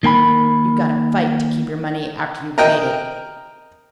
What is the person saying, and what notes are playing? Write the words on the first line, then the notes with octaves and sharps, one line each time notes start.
You got to FIGHT to keep your money after you've made it.
D#3 A#3 G#5 B5
A#4 D#5 G5